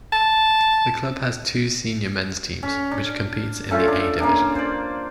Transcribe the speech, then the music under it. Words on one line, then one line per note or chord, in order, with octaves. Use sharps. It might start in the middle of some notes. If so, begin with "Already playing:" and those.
The club has two senior men's teams which competes in the A division.
A5
C#4
D4
A3 C#4 F4
D4
A#3 C#4 D4
C5 D5